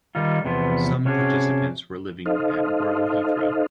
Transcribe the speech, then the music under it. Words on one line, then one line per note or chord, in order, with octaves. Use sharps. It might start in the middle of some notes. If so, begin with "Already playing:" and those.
Some participants were living at Grow Heathrow.
D#3 G3 D#4 F4
E2 C3 F3 B3
C3 C#4 D4 F#4 G#4
D#4 A4 C5 D#5 F5